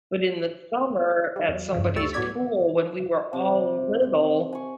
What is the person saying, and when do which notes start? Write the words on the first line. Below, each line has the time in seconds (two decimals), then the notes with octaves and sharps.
but in the summer at somebody's pool when we were all little
1.36 D#3 G3
1.49 E2 F#3
1.73 E2 G2 C#3 F3
1.96 D2 G3 A3 C#6 E6 A6
2.13 A2 F#3 B3 D5 G#6 B6
3.33 C3
4.53 G#5 C#6